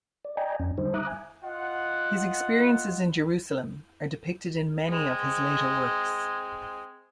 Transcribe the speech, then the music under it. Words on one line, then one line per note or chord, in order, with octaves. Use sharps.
His experiences in Jerusalem are depicted in many of his later works.
D5
D5 D#5 G5 G#5 A#5
F2 C#4
D3 G3 D#4 C5
E5 A#5 D6 D#6 F#6
G#5
F4 D#5 F#5
G#3 C4